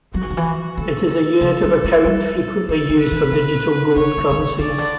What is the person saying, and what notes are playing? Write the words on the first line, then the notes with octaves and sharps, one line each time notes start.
It is a unit of account frequently used for digital gold currencies.
F#3 F#4
E3
D3
E3
D3 A4
C#3
G3
A3
G3
E3 A4
E3
B4
E3
D3
C#3 C#5
D3
F#3
E3
D3 D5
C#3
D3